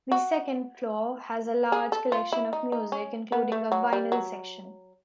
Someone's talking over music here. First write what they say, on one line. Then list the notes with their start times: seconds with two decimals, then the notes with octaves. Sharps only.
The second floor has a large collection of music, including a vinyl section.
0.12 F#4
1.72 G#4
1.92 A4
2.12 F4
2.32 E4
2.53 D#4
2.72 D#4
2.92 C#4
3.32 B3
3.52 A3
3.72 F#3
3.93 G3
4.12 F#3